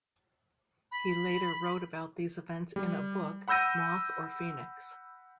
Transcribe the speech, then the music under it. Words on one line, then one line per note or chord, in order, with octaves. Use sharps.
He later wrote about these events in a book, Moth or Phoenix?
B5
G3
F#5 B5 E6 G6 A#6 D#7